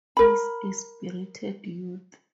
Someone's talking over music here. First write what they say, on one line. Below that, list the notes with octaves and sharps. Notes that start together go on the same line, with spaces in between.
He's a spirited youth.
A#4 B5